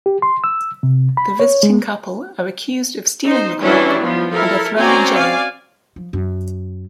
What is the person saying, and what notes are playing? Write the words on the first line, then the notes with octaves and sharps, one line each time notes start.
The visiting couple are accused of stealing the clock and are thrown in jail.
G4
C6
E6
C3
B5
C#5
G#3
D#4 C5
E3 F#3 G3 C#4 D4 E4
F3 B3
E4 A4 A#4
C4 C#4 F#4 D5 G#5 A#5
D5 F5 G#5
F3
F#2